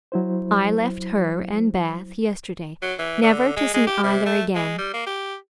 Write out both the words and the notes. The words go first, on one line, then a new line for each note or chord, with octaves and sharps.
I left her and Bath yesterday, never to see either again.
F#3 E4 C5
F#3
E3
D3
G#3
G#3
G4
C3
A3
G#3
G3
A#3
G4